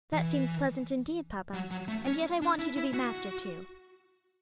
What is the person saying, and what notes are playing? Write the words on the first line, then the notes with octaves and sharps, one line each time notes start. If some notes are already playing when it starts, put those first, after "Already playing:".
That seems pleasant indeed, papa; and yet I want you to be master too.
E3
F#3
F#3
A3
C#4
D4
E4
E4
F#4